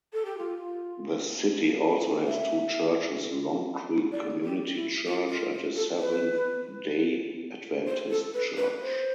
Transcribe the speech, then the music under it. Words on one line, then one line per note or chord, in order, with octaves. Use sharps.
The city also has two churches-Long Creek Community Church and a Seventh-day Adventist Church.
A4
G4
F4
E5
D5
G4
E4
F4
F4
F4
A4
B4
C5
A4
B4
B4
C5